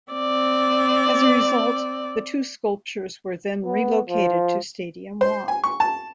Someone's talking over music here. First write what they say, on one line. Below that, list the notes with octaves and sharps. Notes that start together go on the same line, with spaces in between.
As a result, the two sculptures were then relocated to Stadium Walk.
C4 D5
B3
F3
C5
G#5
C#6
A5